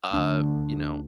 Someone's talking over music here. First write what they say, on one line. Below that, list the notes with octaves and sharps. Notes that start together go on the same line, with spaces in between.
uh, you know,
D2 D4